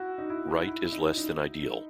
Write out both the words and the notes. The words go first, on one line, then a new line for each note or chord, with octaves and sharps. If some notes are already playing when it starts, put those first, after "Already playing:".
Right is less than ideal.
Already playing: E4 F#4
D#4
E4
E4
E4
D#4
D#4